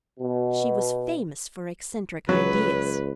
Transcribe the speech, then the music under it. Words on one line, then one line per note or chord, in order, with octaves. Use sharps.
She was famous for eccentric ideas.
B2
C#2 F#3 B4